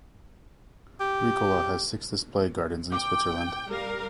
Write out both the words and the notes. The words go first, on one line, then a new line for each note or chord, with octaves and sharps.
Ricola has six display gardens in Switzerland.
G4
G5 D6
G3 A#4 F5